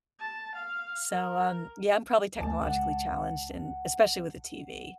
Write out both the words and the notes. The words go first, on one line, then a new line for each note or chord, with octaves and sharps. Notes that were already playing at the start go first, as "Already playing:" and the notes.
So, um, yeah, I'm probably technologically challenged and especially with the TV.
A5
F5
A#4
D2 A3 A5
C#2 F#5